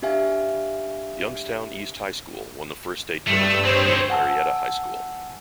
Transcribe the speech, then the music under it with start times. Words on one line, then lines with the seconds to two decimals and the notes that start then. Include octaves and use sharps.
Youngstown East High School won the first state tournament, beating Marietta High School.
0.02 D4 G4 E5 F5 G#5
3.27 G2 A3 E6
3.65 C4 G#4 C5 C#5
4.10 F#5 G#5 A5 E6